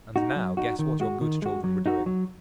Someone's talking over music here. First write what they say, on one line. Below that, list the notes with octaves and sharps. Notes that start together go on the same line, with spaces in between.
And now, guess what your good children were doing?
D#4 F#4
F#3
D#4 F#4
D#3
G#3 F#4
D#3
G#3 F#4
F#3
D#4 F#4
F#3